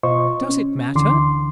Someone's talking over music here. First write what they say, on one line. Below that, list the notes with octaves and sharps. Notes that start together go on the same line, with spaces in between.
"Does it matter?"
B2 F4 C5 D#5 C#6
C#4
D2 D3 E3 C6 D6